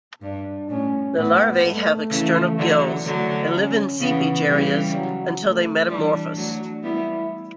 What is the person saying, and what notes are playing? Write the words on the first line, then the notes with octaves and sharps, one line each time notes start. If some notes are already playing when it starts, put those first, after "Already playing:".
The larvae have external gills, and live in seepage areas until they metamorphose.
G2 D4
A2 C#4
A2 B3
A3
C#3 E3
D3 F#3
D3 F#3 A3
C#4
C#3 E3 B3
C#3 E3 G3
F#3
A3
E3 G3 D4
F#3 A3
G3 B3 E4